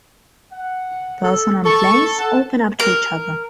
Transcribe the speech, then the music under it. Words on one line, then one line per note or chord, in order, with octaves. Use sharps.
Person and place open up to each other.
F#5
A4
A4 A5 C#6
F#5 A5
A#4